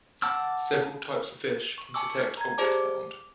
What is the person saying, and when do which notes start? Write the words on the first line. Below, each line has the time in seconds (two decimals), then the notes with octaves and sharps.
Several types of fish can detect ultrasound.
0.22 F#5 A5 D6 E6 F6
1.78 C#6
1.94 G#5 A5 C#6 D6 E6
2.19 F6
2.37 A#5 G#6
2.58 G4 G#4 C5 D5 A5 D6
2.74 D6